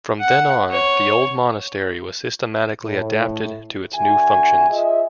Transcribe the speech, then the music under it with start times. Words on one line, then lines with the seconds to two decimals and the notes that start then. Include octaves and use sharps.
From then on, the old monastery was systematically adapted to its new functions.
0.20 F#5
0.70 C#5
2.83 A2
3.93 D3 F#4 E5 G#5
4.69 F4 G#4 D#5 E5